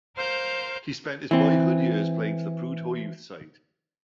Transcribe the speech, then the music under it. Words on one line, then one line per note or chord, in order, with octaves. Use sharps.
He spent his boyhood years playing for the Prudhoe youth side.
A#4 C5 F5 F6 G6
E3 C4